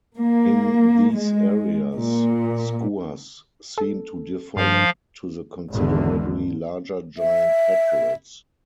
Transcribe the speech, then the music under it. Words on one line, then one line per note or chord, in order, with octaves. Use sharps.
In these areas, skuas seem to defer to the considerably larger giant petrels.
A#3
G#3
A#2
A4
G2 F3 F5
G#1 E2 D3
E5